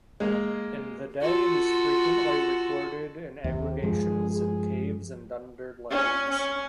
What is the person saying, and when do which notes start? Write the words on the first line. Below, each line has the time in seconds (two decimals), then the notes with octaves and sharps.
In the day it is frequently recorded in aggregations in caves and under ledges.
0.20 G#3 A#3
1.21 F4 F#4 A4
3.44 D#2 C3
3.83 G2 F3 G#3 G#4
4.31 G#4
5.90 C#4
6.30 C#4